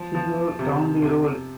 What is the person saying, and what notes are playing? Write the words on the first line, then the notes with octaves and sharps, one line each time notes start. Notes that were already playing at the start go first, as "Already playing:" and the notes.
See you down the road.
Already playing: F3
F3
C3
C3